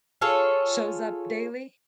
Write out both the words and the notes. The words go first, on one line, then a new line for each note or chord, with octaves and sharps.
shows up daily?
F4 G#4 A4 C#5